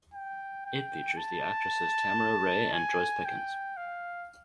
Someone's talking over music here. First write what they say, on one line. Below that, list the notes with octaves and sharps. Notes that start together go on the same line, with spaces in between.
It features the actresses Tamara Rey and Joyce Pickens.
G5
G5
A5
G#5
G5
F5